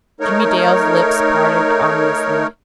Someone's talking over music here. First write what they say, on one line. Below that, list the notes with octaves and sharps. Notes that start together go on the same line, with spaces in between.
Jimmie Dale's lips parted ominously.
A3 D#4 A#4 C#5